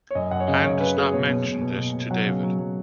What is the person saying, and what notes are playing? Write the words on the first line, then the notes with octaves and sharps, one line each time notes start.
Ann does not mention this to David.
C#5
F#2 D#5
F#2 F#5
C#5
C#3 D#5
F#2 C#5
C#3 B4
F#3 G#4
B2 C#5
B2
B2
B2
B2
B2
F#3 F#5
C#3
F#3
F#3